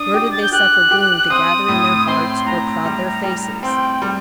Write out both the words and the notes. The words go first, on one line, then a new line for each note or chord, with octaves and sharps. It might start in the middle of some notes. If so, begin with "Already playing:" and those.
Nor did they suffer gloom to gather in their hearts or cloud their faces.
Already playing: D4 D#6
G4
A6
G6
G4 F#6
G4
C4 D#6
A2
C4 C6
A2 A#5
G3
G3
C4 G5
G3